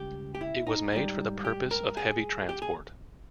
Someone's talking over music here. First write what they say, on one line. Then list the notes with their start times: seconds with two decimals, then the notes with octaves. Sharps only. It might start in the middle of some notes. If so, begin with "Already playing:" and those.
It was made for the purpose of heavy transport.
Already playing: C#2 G3 G4
0.35 G4
0.41 E4
0.67 D#4
0.92 G#2 G3
1.45 G4
1.71 A#4
1.97 G#4
2.49 G4
2.62 G#4